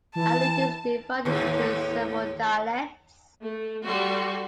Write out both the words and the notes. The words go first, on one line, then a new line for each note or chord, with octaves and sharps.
Aleut is divided into several dialects.
E3 A5
D#2 A2
A3
G3 F#4 A4 C6